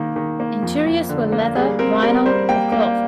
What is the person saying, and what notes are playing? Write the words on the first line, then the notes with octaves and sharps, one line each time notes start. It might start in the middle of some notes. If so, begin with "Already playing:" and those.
Interiors were leather, vinyl or cloth.
Already playing: D#3 A#3
D#3
A#3
F2
F2
D3
A#3
G3 G#4
C4 A#4
G3 A#4
G3 C5
A#3 G5
A#3